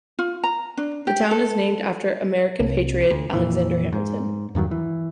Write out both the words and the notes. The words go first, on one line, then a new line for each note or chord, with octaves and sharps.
The town is named after American patriot Alexander Hamilton.
F4
A#5
D4
G4
A4
C2
D2
F2 A#2 E3
G#2
E2 G2 D#3 F#3
E3